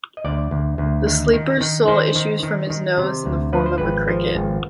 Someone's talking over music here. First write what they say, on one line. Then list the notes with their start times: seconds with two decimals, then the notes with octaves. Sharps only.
The sleeper's soul issues from his nose in the form of a cricket.
0.17 D#5
0.25 D2 D5
0.51 D2
0.78 D2
1.07 D#3
1.33 D#3
1.61 D#3
1.88 D#3 C5
2.16 D#3
2.43 D#3
2.70 D#3
2.97 C3
3.26 D2
3.53 F3 B4
3.66 C5
3.78 G#1 B4
4.08 F3
4.35 G#1